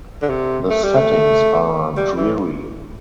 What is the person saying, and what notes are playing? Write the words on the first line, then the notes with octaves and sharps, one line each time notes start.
The settings are dreary.
D3
C3
A3
G3
A3
G3
E3